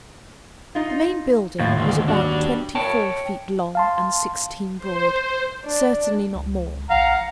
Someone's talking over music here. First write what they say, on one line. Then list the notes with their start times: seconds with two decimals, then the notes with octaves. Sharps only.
The main building was about twenty-four feet long and sixteen broad--certainly not more.
0.75 D#4 F4
1.59 D#2 A2 F4
1.77 D2 G#2
2.08 G3 D4 F#4
2.75 C#5 G5 A5
3.75 F5 A5 C6
4.79 C5
5.66 D4
6.35 C#2
6.90 A#1 F5 F#5 A#5